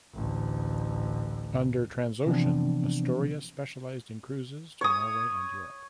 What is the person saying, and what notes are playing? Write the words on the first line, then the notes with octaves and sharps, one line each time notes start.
Under Transocean "Astoria" specialized in cruises to Norway and Europe.
A1 D2
C3 E3 F3 B3 C4 D4
C#5 D#6